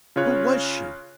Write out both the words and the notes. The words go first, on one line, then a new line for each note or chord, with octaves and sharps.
Who was she?
C#3 F4 C#5 F#6